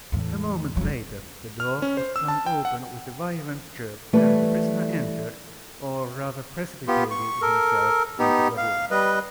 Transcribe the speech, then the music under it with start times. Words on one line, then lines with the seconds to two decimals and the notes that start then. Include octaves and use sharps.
A moment later the door was flung open with a violent jerk, and the prisoner entered, or rather precipitated himself into the room.
0.12 E2 A2
0.77 E1 F#3
1.60 F6
1.82 C#4
1.97 C5
2.16 E6
2.28 A5
2.46 G5
2.65 F#5
4.13 E3 G3 A3 B4 C#5
6.88 B3 F4 G4
7.11 C#6
7.42 A4 A#4
8.19 B3 D#4 G4
8.57 F5
8.91 G3 B4 D#5